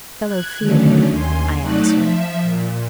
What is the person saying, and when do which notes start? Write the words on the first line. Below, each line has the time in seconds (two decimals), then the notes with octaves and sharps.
'Fellow-feeling,' I answered.
0.24 F#6 G#6
0.60 D3 D#3 F#3 A3 C#4 D4
1.10 D#2 G#5 C6
1.61 F#3 A3 D#4 D5 A5 F#6
1.94 F3 E5
2.42 A#2